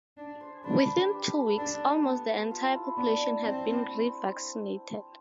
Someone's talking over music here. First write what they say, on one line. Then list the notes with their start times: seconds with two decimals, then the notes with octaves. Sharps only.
Within two weeks, almost the entire population had been re-vaccinated.
0.17 D4
0.41 C5
0.64 D4 B4
1.10 G4
1.22 A4
1.35 B4
1.46 B4
1.57 D4 A4
2.03 B3
2.51 F4
2.75 E4
2.97 B3 D4
3.44 C4
3.91 C4